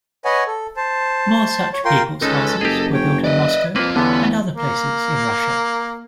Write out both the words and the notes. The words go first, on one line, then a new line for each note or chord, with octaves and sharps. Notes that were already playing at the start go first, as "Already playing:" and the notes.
More such People's Houses were built in Moscow and other places in Russia.
B4 C#5 D#5 F#5 G#5
A4
C5 A5
C#5
F4 A#4 G5 C6
C#2 G#3 C#4 D#4 A4 B4
F#1 G4 G#4 D#5
C#5 G5
B4 D5 D#5
A#3 C4 F4 B4
E2 D3 G3 B3 C#4 F4
A#3